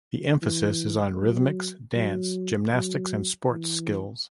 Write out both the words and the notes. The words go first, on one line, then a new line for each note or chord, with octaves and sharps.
The emphasis is on rhythmics, dance, gymnastics, and sports skills.
E3
F#3
F#3
F#3
E3